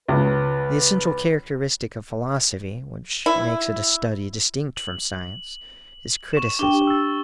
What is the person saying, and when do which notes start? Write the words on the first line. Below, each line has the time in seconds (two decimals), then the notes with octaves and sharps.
The essential characteristic of philosophy, which makes it a study distinct from science, is criticism.
0.08 C#2 B4
3.26 E4
4.76 F#7
6.33 C#6 E7
6.59 D4 G4 G5 C#6 G7
6.87 E6 A6